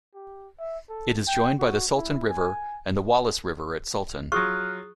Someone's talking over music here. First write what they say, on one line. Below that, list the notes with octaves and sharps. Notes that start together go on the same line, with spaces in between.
It is joined by the Sultan River and the Wallace River at Sultan.
G4
E5
A4
G5
F#4
E4
G#5
F#3 F4 G#4 C#6 D#6 F6 F#6